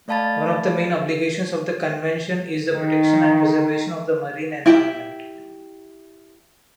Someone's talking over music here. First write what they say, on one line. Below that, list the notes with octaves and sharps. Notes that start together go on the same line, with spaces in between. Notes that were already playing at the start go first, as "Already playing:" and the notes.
One of the main obligations of the Convention is the protection and preservation of the marine environment.
A3 D5 F5 A5 B5 A6
D#3
E4 G4 G5